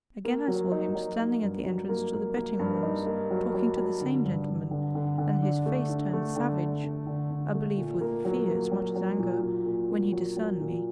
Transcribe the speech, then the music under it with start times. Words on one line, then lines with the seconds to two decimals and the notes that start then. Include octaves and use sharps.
Again I saw him, standing at the entrance to the betting rooms, talking to the same gentleman, and his face turned savage--I believe with fear as much as anger--when he discerned me.
0.25 A#3
0.48 F#3
0.72 D#4
0.95 F#3
1.18 D#4
1.42 G2
1.65 F#3
1.89 A#3
2.13 A#3
2.36 A#3
2.59 G2
2.83 D#4
3.06 A#3
3.30 F#3
3.54 F#3
3.77 F#3
4.01 D3
4.25 G2
4.48 G2
4.71 D3
4.95 D3
5.18 D3
5.42 D4
5.66 A3
5.89 D4
6.13 A3
6.36 D3
6.60 D4
6.84 D3
7.07 D3
7.30 D3
7.54 A3
7.77 A#2
8.01 A#3
8.25 F#3
8.48 A#3
8.71 F#3
8.95 F#3
9.19 A#2
9.41 A#2
9.66 A#2
9.89 A#3
10.12 F#3
10.37 F#3
10.60 A#2